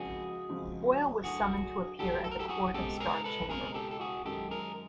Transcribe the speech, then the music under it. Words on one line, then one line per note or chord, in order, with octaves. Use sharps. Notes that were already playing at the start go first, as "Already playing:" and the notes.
Boyle was summoned to appear at the Court of Star Chamber.
Already playing: C#2 C#3 F3 G#3 C4 F#4 G#4
C#2 C#3 F3 G#3 C4
D2 D3 F#3 F#4 G#4
D2 D3 F#3 G4 A4
A4
A#4
G4 A4
F#4 G#4
C#2 B2 G#3 C4 G4 A4
G#4 A#4
A4 B4
C#2 B2 G#3 C4 G#4 A#4
G4 A4
A4
F#4 G#4
F#2 D#3 G#3 G4 A4
G#4 A#4